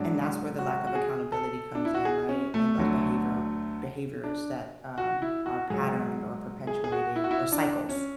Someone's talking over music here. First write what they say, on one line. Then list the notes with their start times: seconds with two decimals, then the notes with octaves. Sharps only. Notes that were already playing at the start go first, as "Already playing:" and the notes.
and that's where the lack of accountability comes in, right, and those behavioral Behaviors that, um, are patterned or perpetuated or cycles.
Already playing: G#2 F#3 D4
0.59 F#4
0.87 F#4
0.95 G#4
1.32 A4
1.75 D4
1.85 E4
1.94 F#4
2.05 G#4
2.29 C#4
2.54 A3
2.78 D2 D3 F#3
4.24 D4
4.98 F#4
5.22 E4
5.46 F#4
5.70 G#2 F#3 G#4
6.67 G#4
6.84 G#4
6.92 F#4
7.16 E4
7.24 F#4
7.31 E4
7.52 D4
7.89 C#4